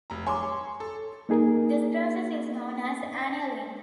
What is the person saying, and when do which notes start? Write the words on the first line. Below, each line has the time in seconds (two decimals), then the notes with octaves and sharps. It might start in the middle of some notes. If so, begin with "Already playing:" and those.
This process is known as annealing.
0.10 F1 A#5
0.27 C#5 G#5 A#5 C6 D6
0.80 A4
1.29 A#3 D#4 G#4 A#4